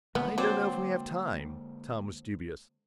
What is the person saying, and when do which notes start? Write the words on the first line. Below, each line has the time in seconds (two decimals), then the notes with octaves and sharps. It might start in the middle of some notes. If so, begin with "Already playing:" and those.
"I don't know if we have time." Tom was dubious.
0.15 D3 G#3 A#3 B3
0.38 F#3 C4 C5 D5